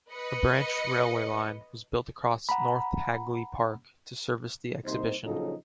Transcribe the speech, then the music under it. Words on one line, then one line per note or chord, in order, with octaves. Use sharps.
A branch railway line was built across North Hagley Park to service the exhibition.
B4 D#5 C#7
F#5 A#5 B5
C2 C3 A#3 D#4 C5
A#1 C#3 F3 F#3 D#4 A4